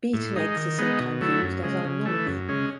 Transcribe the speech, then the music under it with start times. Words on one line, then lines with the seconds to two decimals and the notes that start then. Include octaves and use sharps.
Beaten eggs are sometimes used, as are non-beaten.
0.13 A2
0.36 G#3 D#4
0.56 D#3
0.78 G#3 B3 D#4
1.00 B2
1.21 F#3 A3 E4
1.42 F#2
1.63 C#3 G#3
1.85 C#3
2.06 E3 A3
2.27 F#2
2.48 C#3 G#3 C#4